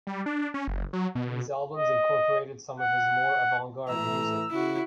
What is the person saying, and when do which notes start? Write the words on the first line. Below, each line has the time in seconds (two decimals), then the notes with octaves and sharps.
These albums incorporated some of his more avant-garde music.
0.07 G3
0.26 D4
0.54 C#4
0.67 F#1
0.93 F#3
1.15 B2
1.76 D#5
2.79 F#5
3.89 A2 E3 A3 A#5 E6
4.51 C#3 E4 F#4